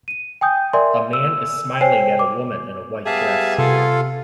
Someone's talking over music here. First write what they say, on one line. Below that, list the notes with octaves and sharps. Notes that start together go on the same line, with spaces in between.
A man is smiling at a woman in a white dress.
D#7
G5 G#5 D#6 G6
A#4 D5 E5 G#5 C6
E6
C5 C#5 G5 G#5 C7
D6
G3 B3 G#4 E5 F5 A5
C3 F4 A4 F5